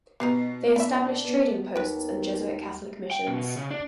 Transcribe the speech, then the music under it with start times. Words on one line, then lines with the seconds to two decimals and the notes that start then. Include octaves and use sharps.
They established trading posts and Jesuit Catholic missions.
0.20 B2 G3 G#3 B3 D#4 C7
0.76 A#3 D4 E4 E5
1.25 B3
1.76 D#2 B4 G5
3.11 G5
3.27 B2
3.39 B2
3.56 C#3
3.71 D4